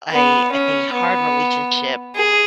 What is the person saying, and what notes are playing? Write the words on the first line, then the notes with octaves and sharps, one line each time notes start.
I a hard relationship
B3
C#4
B3
G#4